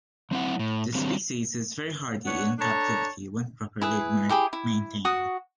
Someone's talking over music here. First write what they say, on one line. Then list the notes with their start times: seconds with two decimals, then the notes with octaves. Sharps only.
This species is very hardy in captivity when properly maintained.
0.31 F#3 C4 E4 F#5
0.59 A2
0.95 D#3 F#3 G3 C4 D4
2.25 B3 D4 C#5 F#5
2.59 D4 A4 C#5 A5 A#5
3.82 E4 G#4 B4
4.29 E4 G4 G#4 B5
4.53 E4
5.05 F#4 F#5 D#6